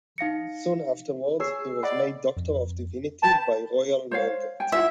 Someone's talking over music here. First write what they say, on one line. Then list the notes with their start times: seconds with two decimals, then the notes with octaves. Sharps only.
Soon afterwards, he was made Doctor of Divinity by royal mandate.
0.18 D#4 F5 A#6 C#7
1.40 G#4 C#5 E6 C7
1.83 D5 D#5 F#5 B5
2.37 F2
3.23 B4 G5 A5 B5
4.11 C5 C#5 F5
4.60 G5 G#5
4.72 E4 F4 E5 F#5